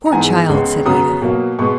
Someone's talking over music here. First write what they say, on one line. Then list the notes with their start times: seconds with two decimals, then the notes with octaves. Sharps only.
'Poor child!' said Edith.
0.06 A#5
0.12 G#2 E3 G#3 B3 G#5
0.49 C#2 C#3 G#3 B3
0.85 F#2 C#3 F#3 B3 D#6
1.22 B2 F#3 A#3
1.59 B2 G#3 B3 C#6